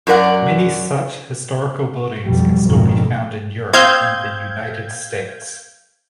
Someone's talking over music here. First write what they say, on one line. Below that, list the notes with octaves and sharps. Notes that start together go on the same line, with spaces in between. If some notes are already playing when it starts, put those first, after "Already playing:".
Many such historical buildings can still be found in Europe and the United States.
F#2 F#3 A#4 D5 F#5
B1 F2 B2 G3
G#1 F2 B2 D3 D#3 G#3
C4 D#5 F5 G6 G#6